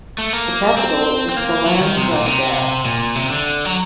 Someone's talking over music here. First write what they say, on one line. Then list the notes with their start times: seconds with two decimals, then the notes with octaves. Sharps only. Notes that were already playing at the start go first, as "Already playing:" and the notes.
The capital is Dalanzadgad.
0.18 A3
0.33 A#3
0.77 C4
1.29 C4
1.37 A#3
1.66 F#3
1.82 D#3
1.97 C3
2.11 A#2
2.26 C3
2.86 A#2
3.15 C3
3.30 D3
3.65 F#3